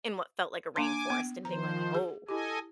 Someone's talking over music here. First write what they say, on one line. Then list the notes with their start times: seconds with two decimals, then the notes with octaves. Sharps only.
in what felt like a rainforest and being like, "Oh,
0.76 A#3 D4 G#5 C6 D6
1.10 B3
1.45 D#3 F3 C5 A#5
1.95 G#4
2.29 E4 G4 A4 D#5 G#5